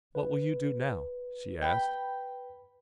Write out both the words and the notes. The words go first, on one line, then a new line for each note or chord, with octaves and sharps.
"What will you do now?" she asked.
B4
G5 B5